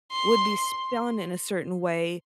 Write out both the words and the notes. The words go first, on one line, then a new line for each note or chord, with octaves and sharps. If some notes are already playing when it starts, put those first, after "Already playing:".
would be spun in a certain way
C6